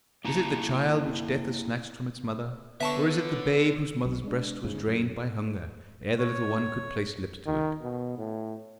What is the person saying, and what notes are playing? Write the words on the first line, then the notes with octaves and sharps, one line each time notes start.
Is it the child which death has snatched from its mother, or is it the babe whose mother's breast was drained by hunger ere the little one could place lips to it?
A#3 E4 A5 A#5
D3 B3 B4 C#5 E5 A5 C#6
B1
G#3 D4
G1 G#2 C#3
F#2
C#5
D#3
B2
A2